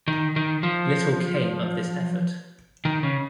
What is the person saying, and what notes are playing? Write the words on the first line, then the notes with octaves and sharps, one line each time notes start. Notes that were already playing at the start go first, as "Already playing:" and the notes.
Little came of this effort.
D#3
D#3
F3
D#3
C#3